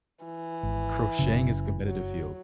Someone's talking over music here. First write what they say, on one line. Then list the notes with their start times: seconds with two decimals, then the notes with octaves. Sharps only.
Crocheting is competitive field.
0.24 E3
0.63 G#1
1.19 F#1 C#3
1.85 F#3